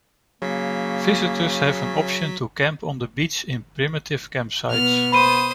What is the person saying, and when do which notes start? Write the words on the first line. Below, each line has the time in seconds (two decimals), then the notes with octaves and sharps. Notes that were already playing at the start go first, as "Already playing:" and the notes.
Visitors have an option to camp on the beach in primitive campsites.
0.42 C#3 F#3 A#3 B6
4.70 B2 B3 F6
5.12 C5 B5 D#6 D#7